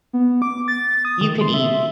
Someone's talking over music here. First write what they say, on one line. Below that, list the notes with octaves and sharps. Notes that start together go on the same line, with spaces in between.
You can eat
B3
D6
A6
D#6
D#3
C6
E5